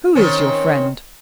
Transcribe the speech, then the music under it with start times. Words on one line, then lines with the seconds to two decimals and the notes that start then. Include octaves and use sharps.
"Who is your friend?"
0.15 D#3 C4 C#4